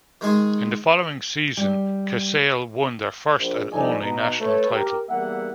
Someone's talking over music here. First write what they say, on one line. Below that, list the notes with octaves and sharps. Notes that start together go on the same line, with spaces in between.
In the following season Casale won their first and only national title.
D#3 G#3 G#4
G3
A#1
G2 F3 D#4 A4 D5 G#5
B2 D#4 A#5
A3 B4 C#5
G4 A#4
E2 G3 A#3 E5 F#5